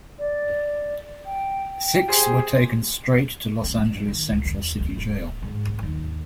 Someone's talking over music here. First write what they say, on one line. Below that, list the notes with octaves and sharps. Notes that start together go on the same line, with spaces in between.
Six were taken straight to Los Angeles' Central City Jail.
D5
G5
G4 G#4 C5
C#4
E3
D#3
C#2
E2
D2
D1
G#2
C3
D#2